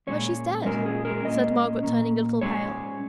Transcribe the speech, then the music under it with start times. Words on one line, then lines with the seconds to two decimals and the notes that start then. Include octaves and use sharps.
'But she's dead!' said Margaret, turning a little pale.
0.07 A#2 G#3 C#4 C#5
0.65 A#2 G#3 C#4 A#4
0.86 G#4
1.05 A#4
1.25 A#2 A#3 C#4 D#5
1.83 A#2 A#3 C#4
2.41 G#2 G#3 C#4 C#5